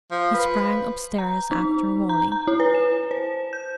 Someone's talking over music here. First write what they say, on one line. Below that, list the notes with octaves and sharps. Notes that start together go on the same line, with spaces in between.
He sprang upstairs after Wally.
F3
B4
A#5
D#4
A#5
A#5
E4
B4
E7
C5
G6